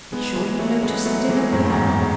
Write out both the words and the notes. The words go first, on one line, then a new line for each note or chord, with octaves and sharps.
Be sure you notice the dinner well.
G#3 B3
E3 G#3
F#3 A3
G#3 B3
F#3 A3
E3 G#3
F#2 A2
E2 G#2
F#2